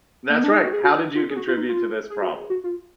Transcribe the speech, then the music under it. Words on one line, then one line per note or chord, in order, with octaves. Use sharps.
That's right. How did you contribute to this problem?
A#3
B3
D4
D#4
F#4
G#4
F#4
D#4
F4
G#4
F#4
F4
D#4
F4
G#4
F#4
G#4
F#4
F4